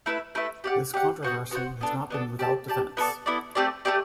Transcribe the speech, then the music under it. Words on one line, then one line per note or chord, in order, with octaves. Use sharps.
This controversy has not been without defense.
A3 E4 B4 E5
A3 E4 B4 E5
G4 D5 F#5
G4 D5 F#5
B3 F#4 C5 F#5
B3 F#4 C5 F#5
B3 D4 A4
B3 D4 A4
G4 D5 A5
G4 D5 A5
B3 E4 A4 D5
B3 E4 A4 D5
A3 C4 G4 D5
A3 C4 G4 D5